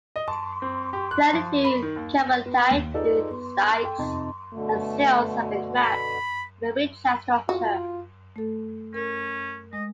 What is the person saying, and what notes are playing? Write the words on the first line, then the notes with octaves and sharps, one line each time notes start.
Thirty-two carbonatite dikes and sills have been mapped within the Richat Structure.
D#5
A5
C4
G4
F#6
F3
B5
D#3
D#2
B3
D#2
D#4 F4 G#4 A4 B4 D5
B3
A4 G5
F2 C3 D#4 A5
B2 D3 A3
B5
F4 F#4
A3 A4
C#4 A#4
G#3 D#5